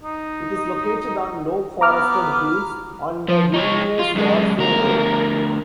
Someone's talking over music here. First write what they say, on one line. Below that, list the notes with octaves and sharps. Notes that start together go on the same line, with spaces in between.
It is located on low forested hills, on the Vilnius-Warsaw road.
D#4
B3 A#5 D6 F6
F3
D#4 C#5
F4
F#2 G#3
D2 A#4